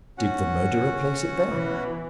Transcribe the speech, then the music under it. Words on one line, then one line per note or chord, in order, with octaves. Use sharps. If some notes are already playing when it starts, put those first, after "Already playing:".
Did the murderer place it there?
C#4 F#4 F#5
B2 E3